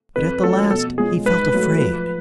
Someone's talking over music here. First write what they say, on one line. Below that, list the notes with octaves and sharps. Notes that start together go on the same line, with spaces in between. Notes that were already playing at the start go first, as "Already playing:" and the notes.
But at the last he felt afraid.
F2 B4
F3 A3 C#4 F#4 A4
B2 A4
G#3 C#4 F4 G#4
G#2 B4
F#3 A3
F3